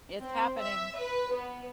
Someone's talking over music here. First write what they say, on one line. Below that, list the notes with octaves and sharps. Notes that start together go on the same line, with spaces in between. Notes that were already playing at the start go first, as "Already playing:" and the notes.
It's happening.
C4
E5
B4
B3